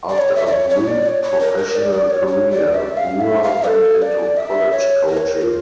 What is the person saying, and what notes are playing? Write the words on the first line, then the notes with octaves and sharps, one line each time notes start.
After a brief professional career, Brewer went into college coaching.
D5
C#5
E5
D5
C#5
C#5
D5
C#5
C#5
A#4
A#4
D5
D5
C#5
C#5
D5
E5
F5
E5
F5
A4
D5
E5
C#5
A#4
C#5
A#4
F4